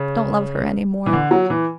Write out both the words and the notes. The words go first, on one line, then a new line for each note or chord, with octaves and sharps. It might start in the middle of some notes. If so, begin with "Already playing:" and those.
Don't love her any more.
Already playing: C#3
E3
D3
F#3
E3